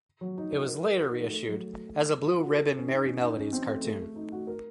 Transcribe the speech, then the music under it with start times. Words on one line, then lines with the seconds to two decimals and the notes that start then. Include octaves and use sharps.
It was later reissued as a Blue Ribbon Merrie Melodies cartoon.
0.21 F#3
0.38 D#4
0.53 F#4
0.69 A#4
0.84 A#4
1.00 F#4
1.11 D#4
1.21 A3
1.32 A3
1.48 F#3
2.26 F4
2.43 F#4
2.50 A#4
2.58 A4
2.79 C#4
2.90 D#4
3.05 C#4
3.21 D#4
3.37 C#4
3.53 C4
3.68 A3
3.84 A3
4.01 A3
4.16 D#4
4.32 F#4
4.47 A#4